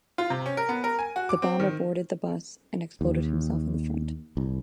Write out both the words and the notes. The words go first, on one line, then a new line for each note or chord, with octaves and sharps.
The bomber boarded the bus and exploded himself in the front.
F4
C3
C#4
A#4
B3
A#4
G#5
F#4
D6
C4
D#3
D#2
C2